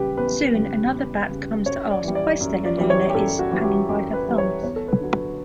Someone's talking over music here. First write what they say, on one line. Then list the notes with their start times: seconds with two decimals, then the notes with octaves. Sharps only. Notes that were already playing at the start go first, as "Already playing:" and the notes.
Soon another bat comes to ask why Stellaluna is hanging by her thumbs.
Already playing: C#3 G3 G4 B4
0.17 E2 B4
0.55 C#3 G3
0.92 E2
1.29 C#3 G3
1.66 F#2 C#5
1.91 D5
2.03 E3 G3
2.15 D5
2.41 F#2
2.66 D5
2.77 E3 G3
2.90 C#5
3.10 G4
3.14 F#2 A4
3.39 F#4
3.51 E3 G3
3.64 G4
3.89 F#2 G4
4.13 B4
4.26 E3 G3
4.38 C#5
4.62 E2 C#5
4.76 A4
4.88 B4
5.00 D3 F#3
5.13 B4